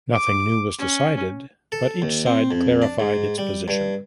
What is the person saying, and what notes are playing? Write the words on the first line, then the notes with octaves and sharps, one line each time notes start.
Nothing new was decided but each side clarified its position.
D6
C#4
A4
D#2
C4
F2
D4
G#2
G3
G2